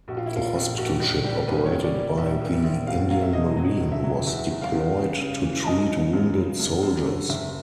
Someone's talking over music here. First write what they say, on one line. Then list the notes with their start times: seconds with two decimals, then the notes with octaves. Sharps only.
A hospital ship operated by the Indian Marine was deployed to treat wounded soldiers.
0.08 A#1 F#4
0.17 F4
0.26 E4
0.31 A#3 F4
0.55 A#1
0.78 A#1 F#4
1.01 A#1
1.24 G3 G4
1.48 A#2 B4
1.66 C#5
1.71 A#1
1.82 D5
1.94 G3
1.99 D5
2.17 A#1 E5
2.41 A#2
2.52 E5
2.64 A#1
2.87 E2 F5
3.10 F#3 F5
3.22 E5
3.33 E1 D#5
3.57 F#3 D#5
3.81 E1
3.92 E5
4.04 F#3
4.27 E2 E5
4.50 E2
4.62 F5
4.74 E2
4.97 C#3
5.20 C#3
5.44 E3
5.66 F#2 D#5
5.90 C#3
6.13 F#2
6.37 C#3
6.60 F#2
6.83 F#2
7.06 D3
7.29 F#1 E5